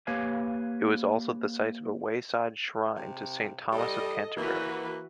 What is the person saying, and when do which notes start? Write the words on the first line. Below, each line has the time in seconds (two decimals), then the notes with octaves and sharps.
It was also the site of a wayside shrine to Saint Thomas of Canterbury.
0.07 A#3 G4 B4 C#5 F5 G#5
2.96 C3
3.72 G3 A4 D#5
4.37 E3 A#3 F#4 B4